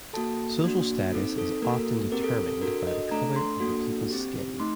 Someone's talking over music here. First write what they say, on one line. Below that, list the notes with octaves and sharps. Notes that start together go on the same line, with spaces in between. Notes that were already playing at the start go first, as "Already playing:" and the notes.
Social status is often determined by the color of the people's skin.
A#3 F#4 A4 A5
A#3 D4 F#4
C4 D#4 A4
A4
A#3 F#4 A4 A#4
C4 G4 A#4
A4
A4
D4 F#4 A4 A#4
D#5
A3 D4 A4 A#5
C6
A#3 D4 F#4 A4
C4 G4
A3 D#4 C6